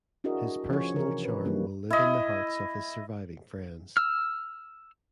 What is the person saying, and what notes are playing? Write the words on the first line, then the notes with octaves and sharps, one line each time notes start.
His personal charm will live in the hearts of his surviving friends.
D4 E4 F#4 G#4 A#4 D#5
F3 C#4 G#4 C#5
C3 E3 A#4
B4
D#3 F#3 G3 A#3 D4 D#4
E4 D#5
E6 F6